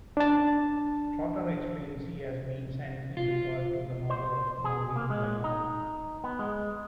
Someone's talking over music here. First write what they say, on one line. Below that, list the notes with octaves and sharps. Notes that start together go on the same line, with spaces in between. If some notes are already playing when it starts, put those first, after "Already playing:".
Trotter explains he has been sent in regard to the murder of Maureen Lyon.
D4 A5
F4
C5
G#4
A#3
G#3
D#4
B3
G#3